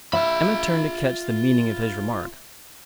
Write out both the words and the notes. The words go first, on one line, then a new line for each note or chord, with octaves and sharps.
Emma turned to catch the meaning of his remark.
F4 E5 B5